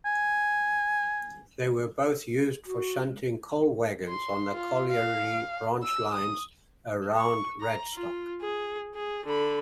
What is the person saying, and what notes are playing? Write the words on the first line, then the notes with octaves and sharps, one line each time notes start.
They were both used for shunting coal wagons on the colliery branchlines around Radstock.
G#5
F#4
C6
F4
F5
E6
D#6
C#6
A#5
F4
G#4
G#4
D3 B5